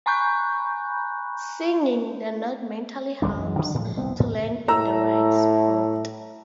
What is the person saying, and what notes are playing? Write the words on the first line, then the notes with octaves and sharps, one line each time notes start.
"Singing" the note mentally helps to land in the right spot.
G#5 A#5 B5 C#6 F#6 G6
F1 F2 G3 D4
F#2 E3 F3 G#3
D3 F#3 C#4 D4
A2 F3 G#3
D#1 C2 B3 C4
G#2
A2 A#5 E6